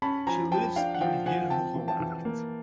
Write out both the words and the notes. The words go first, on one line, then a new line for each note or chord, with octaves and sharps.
She lives in Heerhugowaard.
C#4 A5 B5
F3 G#5 A#5
F3 G5 A5
D4 F5 G5
F#5
F3 F5 G5
F3 F#5 G#5
C4 G5 A5
E3
G5 A5
E3
A#3